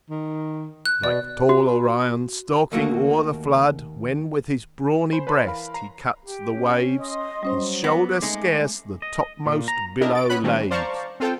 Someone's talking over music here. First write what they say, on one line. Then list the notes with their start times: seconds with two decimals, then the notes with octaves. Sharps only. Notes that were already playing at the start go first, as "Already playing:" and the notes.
"Like tall Orion stalking o'er the flood: When with his brawny breast he cuts the waves, His shoulder scarce the topmost billow laves."
0.10 D#3
0.85 F#6
1.04 B2 D5
1.49 F#4
2.72 D#2 A3 A#3 F#4
5.13 C5 G#5 B5 C6
5.27 B4 C#5 A5 B5 C6
5.45 E3 A#4 F5 B5
5.74 A#5 C7
6.23 G4
6.55 C#4
6.98 D#5 C6 D#6
7.43 F#3 G3 C#4 C5
7.84 B3 D6 A#6
8.22 G#3 A3 D#4
9.02 D#5
9.46 A#2
9.68 A#5
10.01 D4 E4 G4 A#4 D#5
10.15 A6 D7
10.29 B3 C#4 B5 F#6
10.44 D#3 G3 A3 C4 C#4
10.71 C5 D5 F5 A5 A#5 C#6
11.20 C4 F4 A4 C5 G5